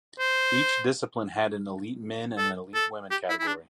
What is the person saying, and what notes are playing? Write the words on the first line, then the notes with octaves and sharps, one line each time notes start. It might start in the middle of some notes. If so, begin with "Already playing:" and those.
Each discipline had an Elite Men and an Elite Women category.
C5
A4
A4
G4
E4
E4
D4